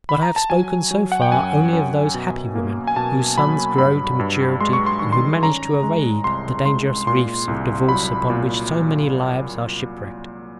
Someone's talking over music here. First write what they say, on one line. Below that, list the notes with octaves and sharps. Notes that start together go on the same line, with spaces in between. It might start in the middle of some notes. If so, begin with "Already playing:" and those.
But I have spoken so far only of those happy women whose sons grow to maturity, and who manage to evade the dangerous reefs of divorce upon which so many lives are shipwrecked.
B5
A#5
A5
F#3 G#5
F#3
F#5
G5
F#2 G#5
F#2
B2
A#3
G#5
B2 A5
F#3 B5
G2 B5
G2
G#3 C6
C#6
C6
D#3 C#6
C6
C#4 A#5
G#3
C2 C6
G#3 C6
A#2 C6
C2
F#3 B5
A#2